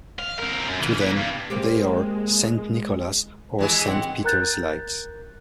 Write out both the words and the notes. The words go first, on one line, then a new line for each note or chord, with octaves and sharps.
To them, they are "Saint Nicholas" or "Saint Peter's lights".
F5
C4 A#4
F#2
C#3 E3
A#3 B3
G2
G#3 A#3 C4 G4
E3 G#3 G#4
C4 F#5
A#4 A#5 F#6 G6 A6